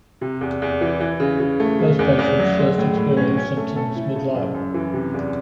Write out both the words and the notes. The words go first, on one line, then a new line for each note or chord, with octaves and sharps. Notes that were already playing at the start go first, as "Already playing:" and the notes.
Most patients first experience symptoms midlife.
C3
E2
E2
E3
E3
C#3
C#3
A3
C#3
E2
E2
F#3
G#3
A2
A2
C#4
C#4
A3
A4
E4
C#3
F#2
F#2
E3
C3
E2